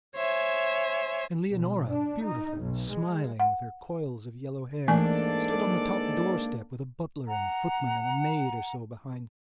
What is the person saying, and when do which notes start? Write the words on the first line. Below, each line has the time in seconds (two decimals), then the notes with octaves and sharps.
And Leonora, beautiful and smiling, with her coils of yellow hair, stood on the top doorstep, with a butler and footman and a maid or so behind her.
0.16 C5 C#5 E5 G#5
1.50 B1
1.88 D4
2.22 D#4
2.60 B1
2.91 G#3
3.40 F#5
4.88 G#2 E3 A3 A#3 D4 A4 D5 G#5
7.27 F#5 A#5